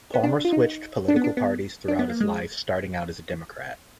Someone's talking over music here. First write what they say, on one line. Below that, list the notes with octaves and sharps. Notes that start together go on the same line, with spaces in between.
Palmer switched political parties throughout his life, starting out a Democrat.
B3
D4
F4
D#4
D4
B3
D4
B3
D4
B3
A#3
G#3